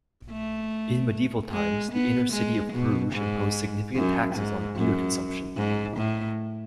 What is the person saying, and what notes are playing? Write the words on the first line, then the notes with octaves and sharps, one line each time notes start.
In medieval times, the inner city of Bruges imposed significant taxes on beer consumption.
A3
G#3
B3
G#3
B2
G#2
F#2
G#2
F#2
G#2
A2